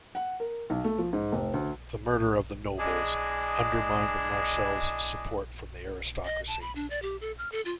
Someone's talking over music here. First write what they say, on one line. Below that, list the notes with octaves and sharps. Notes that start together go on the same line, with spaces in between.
The murder of the nobles undermined Marcel's support from the aristocracy.
F#5
A#4
B1
A3
F3
G#2
F1
D2
E3 G#3 D4 G#4 D#5
D#5
A5
B5
D4
D5
G4
A4
F6
A4
F4